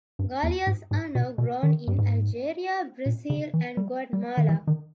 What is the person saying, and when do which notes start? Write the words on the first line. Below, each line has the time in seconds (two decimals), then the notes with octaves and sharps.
Galias are now grown in Algeria, Brazil, Guatemala.
0.19 G2
0.43 E2
0.67 G#2
0.91 G#2
1.15 B2
1.38 B2
1.63 D#3
1.87 G2
1.98 G#2
3.06 A#2
3.30 C#3
3.54 E3
3.77 G3
4.13 G3
4.37 D#3
4.49 E3
4.67 D#3